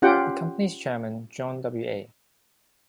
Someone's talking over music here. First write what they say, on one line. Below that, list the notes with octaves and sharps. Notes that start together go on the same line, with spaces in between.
The company's chairman, John W. A.
C#4 F4 G4 F#5 G5